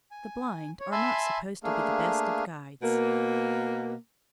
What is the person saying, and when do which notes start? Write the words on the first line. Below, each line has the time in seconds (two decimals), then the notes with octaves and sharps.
The blind are not supposed to be the best of guides.
0.11 G#5
0.80 C#5
0.92 E5 G#5 A5 B5 C6 E6
1.64 A3 A#3 D4 G#4 F5
2.82 B2 A#3